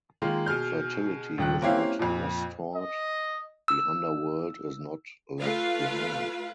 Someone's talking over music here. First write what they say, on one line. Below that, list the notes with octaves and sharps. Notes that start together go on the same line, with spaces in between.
Fertility is not restored, the underworld is not left behind.
D#3 G#3 A#3 F4
B2 G#4 F6 G6
D#1 D#3 F#6
A#3 C4 C#4 E4 G4 F5
F2 A#2
D#5
E6
A3 F4 B4 F5